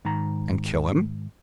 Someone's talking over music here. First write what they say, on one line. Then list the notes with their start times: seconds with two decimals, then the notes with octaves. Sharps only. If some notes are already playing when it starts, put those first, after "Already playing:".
"And kill him?"
0.05 G#2 D#3 A#5